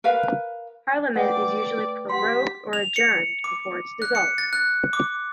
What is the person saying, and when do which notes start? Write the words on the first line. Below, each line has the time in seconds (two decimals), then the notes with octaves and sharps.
Parliament is usually prorogued or adjourned before it is dissolved.
0.04 A#4 B4 F5
1.16 A3 B4 D5 F#5 G5 D6
2.10 G4 F#5 C6 B6
2.73 F7
2.96 C#7
3.44 D6
4.02 F#6
4.15 C#7
4.38 A6
4.53 F#6
4.93 D6